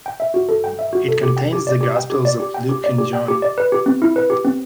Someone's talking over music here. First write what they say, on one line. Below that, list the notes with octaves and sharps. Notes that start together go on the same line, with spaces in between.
It contains the Gospels of Luke and John.
G5
E5
F#4
A4
G5
E5
F#4
A4
G4
G5
G4
D5
G4
G5
G4
D5
G4
G5
G4
D5
G4
G5
G4
D5
B4
G4
C4
E4
B4
G4
C4